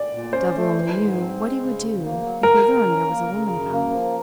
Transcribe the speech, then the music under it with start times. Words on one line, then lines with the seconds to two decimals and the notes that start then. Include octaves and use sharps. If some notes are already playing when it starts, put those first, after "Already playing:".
Devil only knew what he would do if he learned there was a woman about.
Already playing: D5
0.12 A#2
0.33 C#4 C5
0.54 A3
0.75 E3
0.96 G#2
1.17 C4
1.38 G#3
1.60 C#3
1.80 D2
2.01 A#3
2.22 F#3
2.43 F#3 A#4
2.64 C#3
2.86 C#4
3.06 A#3
3.27 C#3
3.48 F#2
3.70 A#3
3.90 F3